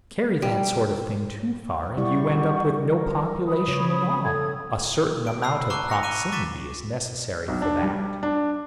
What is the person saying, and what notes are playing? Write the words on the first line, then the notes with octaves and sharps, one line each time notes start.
"Carry that sort of thing too far and you end up with no population at all. A certain amount of proximity is necessary for that."
G3
G3 E4 G4 D5 F#5 C#6
A#4
B5 D#6
C#3 C#5
A4 D#6 G#6
D7
B5 E6 C7
A5 A#5 C#6 D6 F#6 C7
F#6 A#6 C#7 F7
C#6 D6 F#6 D#7
C#6 D6 A6 B6 D#7 E7
B1
D4
G3
D4